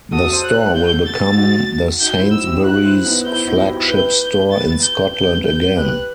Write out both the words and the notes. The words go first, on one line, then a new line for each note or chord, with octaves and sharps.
The store will become the Sainsbury's flagship store in Scotland again.
F#4 A4 D#6
A4 C5
F#6
G6
A6
D#4 F#4
D#4 F#4 G6
C4 E4
D#4 F#4 E6
E4 G4
D#4 F#4 F#6
C4 E4
B3 D#4
C4 E4 G6
D#4 F#4
E4 G4
G4 B4 G6
G6
A6
G6
G6
G6
G4 B4 F#6